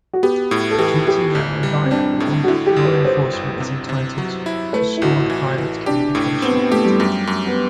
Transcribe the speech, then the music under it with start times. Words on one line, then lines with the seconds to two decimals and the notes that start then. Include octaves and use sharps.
Due to Yarovaya Law, law enforcement is entitled to stored private communication data.
0.13 F#4
0.23 B3 G4
0.51 A2
0.71 A4
0.79 E3 G4
1.07 E3 G4
1.35 A1
1.63 G3
1.84 C4
1.91 G3 D4
2.20 A2
2.44 F#4
2.48 D3 E4
2.67 G4
2.76 G1
2.85 B4
3.04 G1 C5
3.33 G1
3.60 C3
3.89 C3
4.18 F#3
4.46 E4
4.73 A3 B4
4.97 E4
5.02 A1 F#4
5.16 E4
5.30 E3
5.58 E3
5.86 D4 G4
6.15 A2
6.42 B3 C4
6.57 B3
6.71 A3 G4
6.85 G3
7.00 F#2
7.27 F#2
7.46 B3